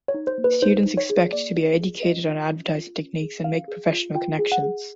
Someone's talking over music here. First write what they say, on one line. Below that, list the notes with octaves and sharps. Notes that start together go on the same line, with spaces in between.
Students expect to be educated on advertising techniques and make professional connections.
C#5
D#4
C5
A#3
B4
D#4 C5
D#4
C#5
G#4
A#3 D5
D#4
G#4
C#4 D#5
F4
C#4
F4
C#4
G#4
C#4 F5
G#4
F4
F4 G5
G#4
F#5
G#4